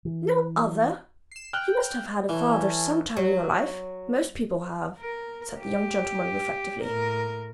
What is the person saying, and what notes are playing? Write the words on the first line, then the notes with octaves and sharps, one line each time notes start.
"No other! you must have had a father some time in your life; most people have," said the young gentleman, reflectively.
E3
C7 E7
G5 F6 F#6
E3 C#4 A4 G#5
F#3
A#4
G4
A2 A#4